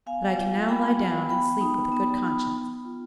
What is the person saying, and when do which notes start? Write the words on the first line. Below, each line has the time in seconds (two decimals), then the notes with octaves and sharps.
"But I can now lie down and sleep with a good conscience."
0.06 B3 F5 G#5
0.37 F4
0.68 B3 G5 B5
0.99 F4
1.29 B3 G5 B5
1.61 D#4
1.92 B3
2.22 D#4
2.54 B3
2.85 F4